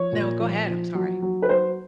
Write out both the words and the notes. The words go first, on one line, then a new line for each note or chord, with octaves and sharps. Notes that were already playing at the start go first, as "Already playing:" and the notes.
No, go ahead, I'm sorry.
Already playing: F3 C#5
A#2
F3
F3
F#3
F#3
B4
F#3 C5